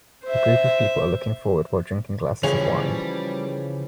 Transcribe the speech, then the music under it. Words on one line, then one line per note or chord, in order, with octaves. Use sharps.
A group of people are looking forward while drinking glasses of whine.
C5 E5
C#3 E3 F3 G3 G#4 C#5 F7